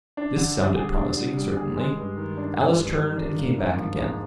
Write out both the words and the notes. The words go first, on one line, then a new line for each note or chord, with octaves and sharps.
This sounded promising, certainly: Alice turned and came back again.
D4
D3
G3
G#4
D4
D3
G3
G#4
G#3
G2
D#3
D4
G#3
G2
D#3
D4
A#3
G#2
F3
G#2